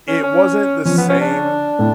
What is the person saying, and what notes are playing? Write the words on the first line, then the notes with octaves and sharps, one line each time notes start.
it wasn't the same,
C#4
C#4
F3 C#4
B3
C#4
D4
A2